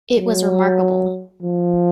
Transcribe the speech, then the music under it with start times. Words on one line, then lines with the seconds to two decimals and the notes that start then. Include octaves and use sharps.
It was remarkable.
0.18 F#3
1.43 F3